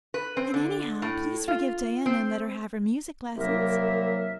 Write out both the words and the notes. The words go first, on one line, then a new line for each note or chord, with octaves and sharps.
And anyhow, please forgive Diana and let her have her music lessons.
B4
C4
D3
A2
F4
C4
C2 F#3 A#3 A#4 E5